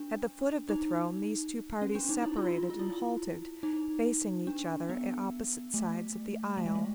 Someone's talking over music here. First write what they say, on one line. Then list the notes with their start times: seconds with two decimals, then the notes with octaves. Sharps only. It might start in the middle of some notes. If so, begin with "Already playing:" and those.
At the foot of the throne these two parties separated and halted, facing each other at opposite sides of the aisle.
Already playing: D4
0.69 D#4
1.82 C#4
1.95 D4
2.09 D#4
2.23 E4
2.36 F4
2.70 F4
2.79 E4
3.63 D#4
4.47 D4
4.89 B3
5.74 A3
6.57 A3
6.66 G#3
6.75 A3